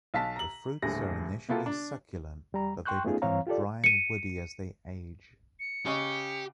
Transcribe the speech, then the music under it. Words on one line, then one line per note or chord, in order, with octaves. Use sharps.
The fruits are initially succulent but they become dry and woody as they age.
B1 F5 A5 B6
A#5 F#7
D#1 A2 D3 G#4 A#6
C3 A#3 B3 F4 G4 A4
D4
E2 G3 A#5
G5 C6 C#6 F#6 G6
A3 B3 C#4 D#4 F4 G#4
G2 E3 C4 C#5 F5 A#5
F4 G4 A4 D5
C#7 D#7
C#7
C#3 G4 D#5 C#6